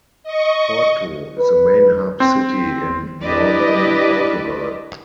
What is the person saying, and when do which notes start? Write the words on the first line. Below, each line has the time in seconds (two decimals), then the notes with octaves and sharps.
Porto is the main hub city in northern Portugal.
0.23 D#5 C#6
1.38 B4
2.20 C4
3.23 D4 E4 G4 B4 D5 D#5